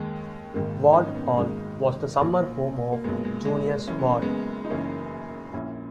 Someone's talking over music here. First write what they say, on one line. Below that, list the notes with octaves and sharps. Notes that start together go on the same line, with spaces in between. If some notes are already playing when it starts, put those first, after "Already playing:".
Ward Hall was the summer home of Junius Ward.
Already playing: D#2 D#3 G#3 A#3
G#1 G#2 D#3 A#3
D#4
C#4
B3
A#3
G#1 G#2 D#3 G#3
B1 A#2 A#3
A#3
B1 A#2 G#3 B3
G#3
G#3
A#3
F#1 F#2 E3 C#4
B3
A#3
G#3 B3
D#4
F#1 F#2 E3 A#3 C#4
A#1 A#2 C#4 E4